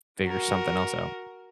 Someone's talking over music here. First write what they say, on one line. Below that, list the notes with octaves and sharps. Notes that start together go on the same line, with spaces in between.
figure something else out.
F#4 A#4